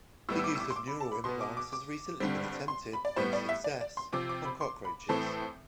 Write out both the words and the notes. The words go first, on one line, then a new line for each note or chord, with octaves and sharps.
The use of neural implants has recently been attempted, with success, on cockroaches.
A2 G3 B3 E6
E6
D6
E6
D6
C6
D6
B5
A5
B5
B2 B3 C6
D6
D6
D6
G2 D3 G3 C4
C6
B5
D5
A2 G3 B3 C5
D5
E5
D5
D5
C6
C3 F3 C4 D6
D6
B5
C6
B5
A2 E3 A3 C4 A5